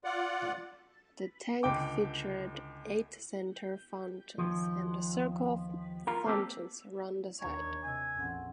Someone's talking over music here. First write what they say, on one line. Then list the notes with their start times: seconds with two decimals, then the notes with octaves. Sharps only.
The tank featured eight central fountains, and a circle of fountains around the side.
0.04 F4 D5 F#5
1.63 C#2 D3 G5 D6
4.38 D#2 F3
6.07 F4 A#4
6.26 A#3 C4 D4 G4 A4
7.41 D#2 D4 C#5 A#5 C#6
7.83 C3 D#5 G#5 E6
8.17 A#1 F2 C#4 F#5 C6